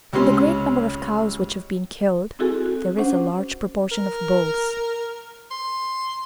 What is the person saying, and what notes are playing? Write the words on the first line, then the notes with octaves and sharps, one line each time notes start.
From the great number of cows which have been killed, there is a large proportion of bulls.
C#2 C3 C#4 C6
C4 E4 F#4 G#4 A4 G#5
F#4
C#4 D4 C5 F#5
A#4
C6